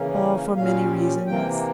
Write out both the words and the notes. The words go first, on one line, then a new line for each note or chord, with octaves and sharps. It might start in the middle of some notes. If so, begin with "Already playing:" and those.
"For many reasons."
Already playing: C#3 E3 A#3 C#4
A#2 G3 C#4 F5
C3 E3 A#3 G5